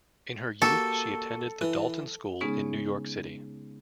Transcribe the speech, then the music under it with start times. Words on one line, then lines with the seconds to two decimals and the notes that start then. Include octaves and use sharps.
In her youth she attended the Dalton School in New York City.
0.62 A#3 F#4 G4 A4
1.61 E3
2.41 C#3 G#3 B3 C#4 D#4 G#4